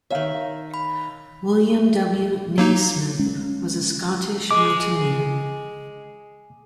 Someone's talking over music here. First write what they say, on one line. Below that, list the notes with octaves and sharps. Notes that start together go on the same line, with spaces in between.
William W. Naismith was a Scottish mountaineer.
D#3 C#5 E5 F5
B5
F#3 A#3 D#4
G#3 C#4
G#3 D6